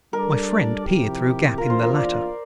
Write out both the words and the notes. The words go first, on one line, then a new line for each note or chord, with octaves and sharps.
My friend peered through a gap in the latter.
G3 D4 A4 A#4 D5
C3 F3 C4 E4 G4
E2 E3 A#3 D4 F4 A#4
C5
A#4
D5